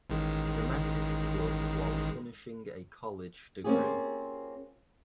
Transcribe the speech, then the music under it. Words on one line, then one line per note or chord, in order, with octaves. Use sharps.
Dramatic Club while finishing a college degree.
A1 D#3 G#3
A#3 C4 C#4 F4 G4 G#4